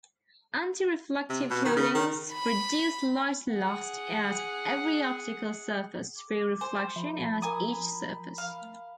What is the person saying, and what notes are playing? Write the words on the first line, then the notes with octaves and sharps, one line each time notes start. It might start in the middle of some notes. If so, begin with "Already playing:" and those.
Anti-reflective coatings reduce light lost at every optical surface through reflection at each surface.
C3
B2
D#3
C#3
D#3
B5
G#4 F#5
D6
C5 G#5
F3 E5 B5
A#4 G#5 A#5 D#6
F5